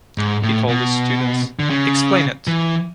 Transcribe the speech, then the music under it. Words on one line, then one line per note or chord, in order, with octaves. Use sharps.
He told his students: Explain it!
G#2
A2
B2
D3
C#3
E3